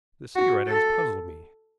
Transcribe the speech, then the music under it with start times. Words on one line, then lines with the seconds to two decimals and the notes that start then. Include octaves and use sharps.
The cigarette-ends puzzled me.
0.35 F#4
0.68 A4